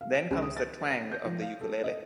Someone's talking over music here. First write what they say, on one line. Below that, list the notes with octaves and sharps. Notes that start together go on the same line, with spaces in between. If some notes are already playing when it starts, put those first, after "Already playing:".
Then comes the twang of the ukulele.
F5
D7
C#2
D#6
A6
A#6
G6
F3
F5
A4
D#5